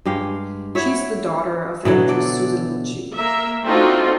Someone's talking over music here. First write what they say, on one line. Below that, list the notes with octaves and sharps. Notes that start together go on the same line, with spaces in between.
She is the daughter of actress Susan Lucci.
G2 G#3 G4 F5
E4 F#4 C#5 E5
B2 D3 E3 F#3
A4 D5
A#3 A#4 E5
A3 C4 D4 D#4 F4 F#4